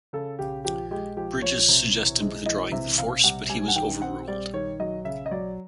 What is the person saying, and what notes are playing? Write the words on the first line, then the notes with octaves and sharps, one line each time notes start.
Bridges suggested withdrawing the force, but he was over-ruled.
C#3 A4
C#3 G4
F3 G4
G#3 G4
F3 G4
F3 C#5
C3
E3
G#3
E3 D#5
C3 E5
C3 F5
G3 F#5
G3 G#5
F#5
D#3 G5
C4 F#5
G3 D5
D#3 C#5
F#3 D#5
C#3 E5
D#5
F#3 D5